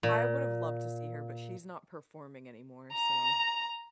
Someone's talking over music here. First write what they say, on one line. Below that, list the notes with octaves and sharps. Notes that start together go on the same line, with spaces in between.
I would have loved to see her, but she's not performing anymore, so
A#2
A#5